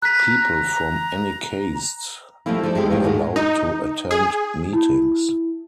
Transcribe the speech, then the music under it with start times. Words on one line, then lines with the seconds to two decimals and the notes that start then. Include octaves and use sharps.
People from any caste were allowed to attend meetings.
0.02 A#5 F#6 B6
2.46 F3 G3 A3 A#3 E4
2.63 F3 D#4 E4 A4 D5
2.75 G#3 E4 G4 A4
2.90 A2 D#3 E3 G3 A#3 F4
3.03 G#2 G#3 A3 F4 F#4
3.36 D#4
4.11 G#4
4.73 E4